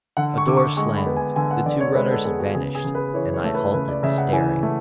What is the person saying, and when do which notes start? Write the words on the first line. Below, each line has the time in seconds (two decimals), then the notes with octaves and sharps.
A door slammed, the two runners had vanished, and I halted staring.
0.17 D3 F#5
0.38 C#6
0.46 D3 D6
0.57 C#6
0.77 G#3 C#6
0.96 B5
1.06 B3
1.16 G#5
1.36 D3 G#5
1.51 F#5
1.66 D3 D5
1.81 C#5
1.95 G#3 B4
2.11 A4
2.25 B3 G#4
2.40 F#4
2.54 C#3 G#4
2.75 G#4
2.85 C#3
2.95 B4
3.14 E3 C#5
3.34 C#5
3.44 A3
3.54 B4
3.74 C#3 B4
3.88 D5
4.03 C#3 E5
4.18 F#5
4.33 E3 G#5
4.63 A3